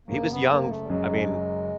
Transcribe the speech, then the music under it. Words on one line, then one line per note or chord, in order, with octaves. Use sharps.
He was young, I mea
F#1 F#2 C#3 F#3 A#3
B3
A#3
A3
G3
F#1 F#2 C#3 F#3 G#3